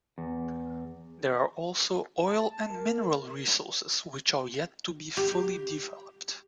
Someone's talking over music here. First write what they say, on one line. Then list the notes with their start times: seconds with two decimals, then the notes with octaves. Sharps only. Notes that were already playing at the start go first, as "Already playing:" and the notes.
There are also oil and mineral resources which are yet to be fully developed.
0.18 E2
2.27 A5
2.70 A#4
5.17 G4